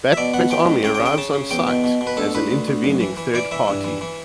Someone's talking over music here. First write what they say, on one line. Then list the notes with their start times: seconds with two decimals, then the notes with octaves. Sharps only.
Batman's army arrives on site as an intervening third party.
0.12 E5
0.17 B2 D5
0.34 B2 F#5
0.50 B2 G5
0.67 C#2
0.84 C#3 G5
0.95 G5
1.00 C#3
1.06 G5
1.18 C#3 A5
1.33 C#3
1.50 E2 G5
1.67 B2
1.84 B2
2.01 B2
2.07 B4
2.17 D2 A4
2.35 D2 B4
2.51 D2
2.68 D2
2.84 F#2
3.01 E3
3.17 E3
3.34 E3 D5
3.51 E3 E5
3.68 G2
3.84 E3
4.01 E3